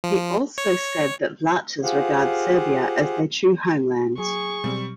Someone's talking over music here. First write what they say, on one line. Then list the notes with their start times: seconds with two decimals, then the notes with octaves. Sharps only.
He also said that Vlachs regard Serbia as their true homeland.
0.04 F3
0.58 C#5
1.83 F4 G4 G#4 C5 F5 F#5
4.18 F#3 G#4 C#6
4.64 B2 F#3 G3 C4